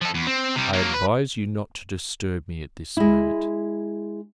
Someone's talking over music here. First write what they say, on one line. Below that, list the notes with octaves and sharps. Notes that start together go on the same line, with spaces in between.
"I advise you not to disturb me at this moment."
F3 A4
E2
C4
C3 G3
F#3 A#3
B4
G#3 E4